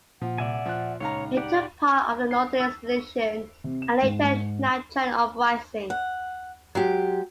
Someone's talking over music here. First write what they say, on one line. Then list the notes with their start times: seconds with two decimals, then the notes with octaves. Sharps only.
He took part of the Northern Expedition and later the Nanchang Uprising.
0.22 A#2 F3 F#5
0.38 C2 D5 E5 G#5
0.66 F3 F#6
1.00 C#2 D#4 C#5 F5 A#5
1.37 G4 D5 F#5
2.31 C7
2.60 E6
3.64 C3
3.82 E7
4.02 G#2
4.23 G#2
5.90 F#5
6.75 F#3 G#3 G4